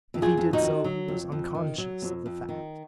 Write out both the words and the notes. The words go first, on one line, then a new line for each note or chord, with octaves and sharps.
If he did so, he was unconscious of the fact.
F2
F4 G#4
F2
D#4 F#4
D#3
F#3
F2
F2
D#3
F#3
F2
F2
D#3